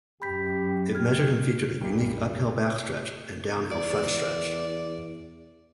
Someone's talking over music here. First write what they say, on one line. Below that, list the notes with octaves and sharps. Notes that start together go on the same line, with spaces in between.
It measured and featured a unique uphill backstretch and downhill frontstretch.
F#2 G4 B5 G6 B6
G4 F6 G#6
F#1 B1 G2 A#2 A#4 G5
E2 D5